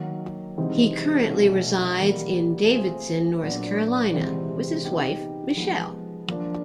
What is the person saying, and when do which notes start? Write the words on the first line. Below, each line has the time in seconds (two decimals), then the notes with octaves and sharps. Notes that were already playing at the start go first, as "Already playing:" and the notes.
He currently resides in Davidson, North Carolina with his wife Michelle.
Already playing: D#3 F#3 A#3
0.57 C3 E3 G#3 C4 D#4
1.29 B2 F#3 A3 C#4
2.00 E3 G3 A#3
2.71 A3 C4 F4 G#4 C5
3.42 A#2 F#3 B3 D4
4.14 C3 E3 G#3 C4
4.85 B3 D#4 G4
5.56 F3 G#3 B3
6.28 F3 A#3 D4